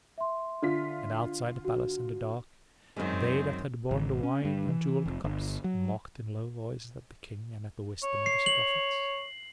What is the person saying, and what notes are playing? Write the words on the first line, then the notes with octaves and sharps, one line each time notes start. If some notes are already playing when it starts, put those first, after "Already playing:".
And outside the palace in the dark they that had borne the wine in jewelled cups mocked in low voices at the King and at the wisdom of his prophets.
E5 C6
D3 F4 B6
F#4
F#2 D#3 G#3 C4
G#1
C#4
G2
E3
F1
G1
F#3
C#5
C7
F#7